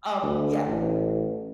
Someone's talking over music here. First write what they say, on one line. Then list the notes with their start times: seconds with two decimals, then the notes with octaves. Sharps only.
um Yeah,
0.22 D2
0.66 A1